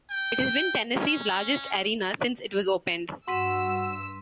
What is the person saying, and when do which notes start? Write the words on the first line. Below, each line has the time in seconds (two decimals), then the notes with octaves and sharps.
It has been Tennessee's largest arena since it was opened.
0.10 G5
1.01 C#4
3.28 G2 F#4 C6 E6 B6 D#7